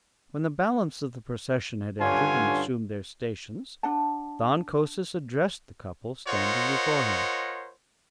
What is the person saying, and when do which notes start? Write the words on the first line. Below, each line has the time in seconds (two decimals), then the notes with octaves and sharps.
When the balance of the procession had entered and assumed their stations Than Kosis addressed the couple standing before him.
2.01 G2 D3 C#4 F4 C#5 G#5
3.83 D4 F#5 A5
6.27 F4 A#4 C5 C#5 D#5 F#5